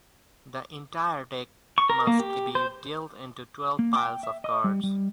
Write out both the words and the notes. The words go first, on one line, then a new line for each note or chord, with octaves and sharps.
The entire deck must be dealt into twelve piles of cards.
C#6
A#4
A#3
G4
C5
A#3
G5
E5
D#5
G3
G3